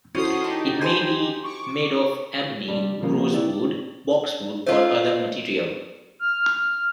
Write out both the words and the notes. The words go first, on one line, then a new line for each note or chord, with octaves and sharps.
It may be made of ebony, rosewood, boxwood or other material.
C#4 E4 F#4 A4 C5 D#6 C7
D#4 G4 A5
C5 G#5 C6
C#6 D6
G3 D4
C#3 F3 A#3 B3
E4 G4 D5
A3 C#4 F4 C5 D#5
F6